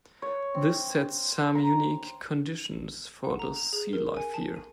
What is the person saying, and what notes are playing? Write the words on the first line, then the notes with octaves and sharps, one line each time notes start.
This sets some unique conditions for the sealife here.
C#5
C4
A#5
F#5
A#5
F7
G#4
A#4
G#5
A5
D#7